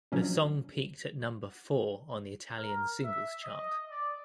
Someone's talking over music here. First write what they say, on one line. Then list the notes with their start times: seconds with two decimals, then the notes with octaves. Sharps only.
The song peaked at number four on the Italian Singles Chart.
0.12 F3 F#3 C#4 D4
2.58 A#4
3.04 E5
3.44 D#5
3.91 D5